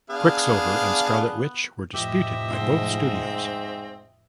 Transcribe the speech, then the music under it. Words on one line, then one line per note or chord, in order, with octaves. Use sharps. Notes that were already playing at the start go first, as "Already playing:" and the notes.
Quicksilver and Scarlet Witch were disputed by both studios.
B3 D4 G#4 F5
F1 A2 F3 G4 D#5 E5
G#2 C4